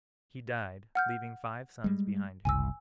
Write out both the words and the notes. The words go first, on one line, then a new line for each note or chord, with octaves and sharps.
He died, leaving five sons behind him.
F#5 F6 G6
G3 G#3
F#1 C2 G#5 E6